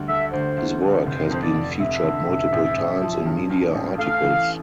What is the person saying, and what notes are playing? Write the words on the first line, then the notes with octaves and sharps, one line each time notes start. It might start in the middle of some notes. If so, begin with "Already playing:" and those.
His work has been featured multiple times in media articles.
Already playing: D2 G3
D3 E5
D2 C5
D2
D3
F1 C5
A#4
F2 C5
D5
F1
F1 E5
D3
F1
A1
A1
F3
G2
G2
A1
A3 F5
E3